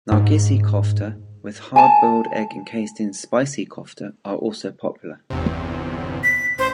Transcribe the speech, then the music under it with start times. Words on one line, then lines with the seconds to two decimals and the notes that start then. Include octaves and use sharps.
Nargisi kofta with hard boiled egg encased in spicy kofta are also popular.
0.12 G#2
1.76 G#5 A5
5.30 G1 E2 C3
6.23 B6
6.59 A1 C5 G6